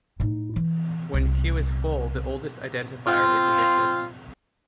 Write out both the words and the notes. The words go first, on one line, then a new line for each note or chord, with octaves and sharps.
When Q is full the oldest identifier is evicted.
A2 D#4
E3
C2
C4 F4